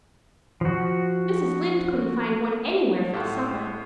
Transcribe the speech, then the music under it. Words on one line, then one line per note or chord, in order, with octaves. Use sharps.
Mrs. Lynde couldn't find one anywhere for the supper.
F3 F#4
A2 G4 F5 F#5 A5 C6